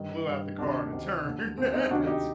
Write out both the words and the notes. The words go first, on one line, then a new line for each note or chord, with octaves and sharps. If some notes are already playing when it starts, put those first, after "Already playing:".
flew out the car on a turn. Its
Already playing: G2 D#3
G2 D#3
D2 C3 D#3 D4
D2 C3 D#3
D#2 D3
D#2 D3 C4
C4 D#4
D2 C3 D#3 D4 F#4
D#4 G4